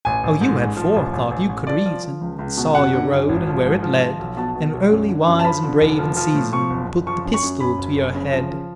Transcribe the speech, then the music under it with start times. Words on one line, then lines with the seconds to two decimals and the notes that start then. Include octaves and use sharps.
Oh you had forethought, you could reason, And saw your road and where it led, And early wise and brave in season Put the pistol to your head.
0.05 A1 G#5
0.23 A1
0.41 G#2
0.60 A1
0.77 F3
0.96 A1
1.13 A1
1.31 A1
1.49 A1
1.67 F3 D5
1.86 F3
2.03 F3
2.21 C#2
2.39 C#2
2.57 B2
2.75 F#2 F#5
2.93 D3
3.11 F#2
3.29 G#1
3.47 F3
3.66 G#2
3.83 F3
4.00 F3
4.19 B1
4.37 B2 A5
4.55 B2
4.73 B1
4.91 F#2
5.08 D3
5.27 F#2
5.39 A5
5.44 F3 B5
5.63 D3
5.81 F1
5.99 F3
6.17 F3
6.34 A2
6.52 F3 C#6
6.70 F#1
6.89 F#1
7.07 F3 C#6
7.25 F#2
7.34 C#6
7.43 F#2
7.60 F#2 B5
7.78 F#1
7.96 F#1
8.15 C#3
8.32 F3